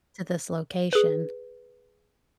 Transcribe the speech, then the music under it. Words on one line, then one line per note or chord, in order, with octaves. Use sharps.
to this location,"
G#4 B4